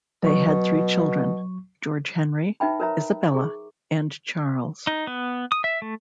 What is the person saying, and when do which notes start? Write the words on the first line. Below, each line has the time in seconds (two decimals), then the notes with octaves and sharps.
They had three children: George Henry, Isabella and Charles.
0.23 B2 F#3 C#6
2.60 D#4 B4 E5 G5 B5
2.80 A#4 B4 C#5 E5 A#5
3.32 G#4 C#6
4.87 D#4
5.07 B3
5.52 D#6
5.64 E5
5.82 A3